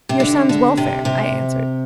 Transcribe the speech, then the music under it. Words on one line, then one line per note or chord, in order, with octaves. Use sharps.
"Your son's welfare," I answered.
C3
D3
D3
C3
C3